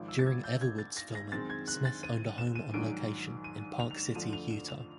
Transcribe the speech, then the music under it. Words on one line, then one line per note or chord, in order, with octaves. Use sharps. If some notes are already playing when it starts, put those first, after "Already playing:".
During "Everwood"'s filming, Smith owned a home on location in Park City, Utah.
Already playing: G#1 G#2 F3 D6
E6
A6
G#6
G6
G#6
A6
A#6
A#6
F#2 D#3 G#3 C4 A6
G#6
F#6
A6
D#7
E7
D#7
A#1 G#2 D#3 F#3 D7
D#7
F7
F7
E7
F2 D3 F3 A3 D#7
F7
E7
F7